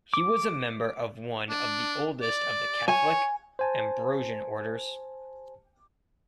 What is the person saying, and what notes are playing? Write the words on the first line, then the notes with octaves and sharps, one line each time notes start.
He was a member of one of the oldest of the Catholic Ambrosian orders.
D6
D4
D5
C#5 G#5
C5 G#5 A5